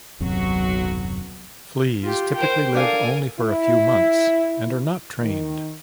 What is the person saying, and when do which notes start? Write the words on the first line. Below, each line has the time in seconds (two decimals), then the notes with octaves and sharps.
Fleas typically live only for a few months and are not trained.
0.20 D#1 B1 F#2 C3 F#3 F#4
2.04 F4 G4
2.36 A#4 C5 G5
2.74 D4 A4 A#4 F5 G#5
3.40 E4
5.20 D#3